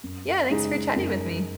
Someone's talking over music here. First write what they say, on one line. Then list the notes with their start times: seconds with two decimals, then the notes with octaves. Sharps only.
Yeah, thanks for chatting with me.
0.03 F#2
0.50 C#3 G#3 D#4 G#4
0.96 F#2